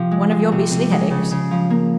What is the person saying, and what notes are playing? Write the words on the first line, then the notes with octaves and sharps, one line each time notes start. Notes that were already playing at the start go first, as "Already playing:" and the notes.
One of your beastly head-aches.
Already playing: C3 F3
G#3
G#3
C3
C3
G#3
C#3
C#3
F3
A#3